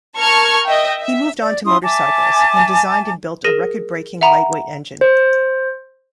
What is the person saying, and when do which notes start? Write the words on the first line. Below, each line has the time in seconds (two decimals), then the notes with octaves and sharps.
He moved on to motorcycles and designed and built a record breaking lightweight engine.
0.18 A#4 A5 C#6 F6 G#6
0.64 D#5 E5 G5
1.00 E5
1.41 D5
1.64 C#4 E4 C6 D#6
1.82 E5 G#5 A5 D6
3.44 G#4 A#4 A#6 D#7 E7
4.21 E5 F#5 A#5 B5
5.01 C5